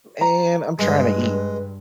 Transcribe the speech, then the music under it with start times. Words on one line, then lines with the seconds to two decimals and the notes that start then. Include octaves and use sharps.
"Man, I'm tryna eat
0.21 A#5
0.79 G2 G#3 B4